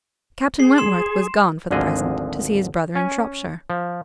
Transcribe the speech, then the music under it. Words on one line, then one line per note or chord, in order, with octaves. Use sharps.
Captain Wentworth was gone, for the present, to see his brother in Shropshire.
G#4 C7
C6 E7
G#1 D2 D3 F3 G#4 D#5
C#4 G#5
F3